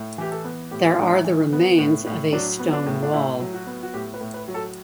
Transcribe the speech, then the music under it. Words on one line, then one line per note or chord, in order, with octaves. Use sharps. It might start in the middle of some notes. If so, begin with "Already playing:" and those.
There are the remains of a stone wall.
Already playing: A2
E3 G4
A4
B3
A2 G4
A2 D4
E4
E3
B3
A2
A2
F#3 D4
B3
D4
A2
D4
A2 E4
F#3
F#4
B3
F#4
A2 G4
B4
A2
B4
F#3
A4